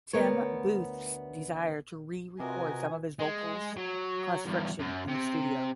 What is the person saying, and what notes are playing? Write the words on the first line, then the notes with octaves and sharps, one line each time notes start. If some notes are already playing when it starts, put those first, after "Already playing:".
Tim Booth's desire to re-record some of his vocals caused friction in the studio.
D2 B3 A#4 C#5
C3 F4 F#4 A#4 B4 D#5 G#5
G#3
F#3
E2 G2
F#2
C3